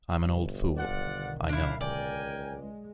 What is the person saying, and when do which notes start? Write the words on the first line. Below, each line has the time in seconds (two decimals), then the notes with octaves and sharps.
I’m an old fool, I know.
0.26 G1 B2
0.77 B1 D3 D#3 F4 D5 F#5
1.49 D4 E4 F5
1.81 C#2 A#4 D5 G5 G#5
2.55 G#3